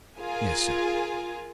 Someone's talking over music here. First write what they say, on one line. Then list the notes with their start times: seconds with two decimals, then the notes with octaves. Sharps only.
"Yes, sir."
0.17 F4 G#4 A#4 G#5